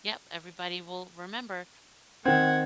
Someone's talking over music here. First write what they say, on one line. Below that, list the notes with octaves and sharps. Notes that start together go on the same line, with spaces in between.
Yep, everybody will remember
D#3 C4 F#5 G#6